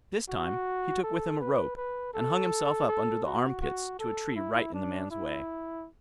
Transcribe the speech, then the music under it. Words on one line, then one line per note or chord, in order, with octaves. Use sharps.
This time he took with him a rope, and hung himself up under the arm- pits to a tree right in the man's way.
F#4
A4
B4
B4
A4
A4
F#4
F#4
A4
E4
D4
E4